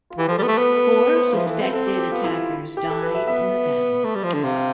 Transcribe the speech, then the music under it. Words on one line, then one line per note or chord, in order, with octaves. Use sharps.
Four suspected attackers died in the battle.
F4
E3 G4
F3 A4
G3
A3 B3 A4
B3 B4
A4
B4
C5
F5
F3 E5
E3 A4
B4
C4
C4 A4
G4
G4
B3 F4
E4
F4
G4
A4
B4
E5
B3 E5
A3
G3
F3
D3
C3 F5
F5